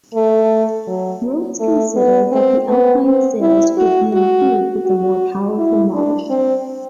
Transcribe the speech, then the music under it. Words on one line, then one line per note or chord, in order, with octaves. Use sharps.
Rootes considered that the Alpine's sales would be improved with a more powerful model.
A3
F#3
A3
B3
C4
B3
C4
E4
F#4
F#4
F#4
E4
D4
C4